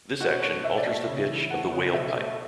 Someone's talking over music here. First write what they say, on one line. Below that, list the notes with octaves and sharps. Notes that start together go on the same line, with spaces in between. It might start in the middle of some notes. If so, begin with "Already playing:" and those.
This action alters the pitch of the 'wail pipe'.
B2 F#4
A3 C#5
B2 E5
D5
A3 E5
C#3
E3
A3 F#5
C#3
B2 E5
A3